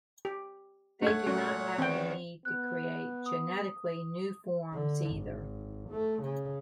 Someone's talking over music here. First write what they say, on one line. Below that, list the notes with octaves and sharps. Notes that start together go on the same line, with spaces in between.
They do not have the need to create genetically new forms either.
G4
A3 C#5 F#5 G#6
F#2 A#2 C#4 F#4
E2 D#3 C4 G5
B3 F#6
D#6
D3
G#1
A3
C#3